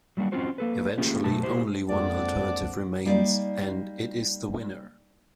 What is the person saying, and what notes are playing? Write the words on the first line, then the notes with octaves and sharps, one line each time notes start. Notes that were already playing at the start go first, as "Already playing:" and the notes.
Eventually only one alternative remains, and it is the winner.
F#3 G3 A#3 D4 F#4
C4 C#4 F4 F#4 C5
A#3 A4 B4
A3 A#3 C#4 F4 G4 G#4
F#2 B2 A3 A5
E4 F#4 G4 C5
F2 F3 G#3 A#3 C4 D4 D5 F#5
G3 A#3 D#4 D5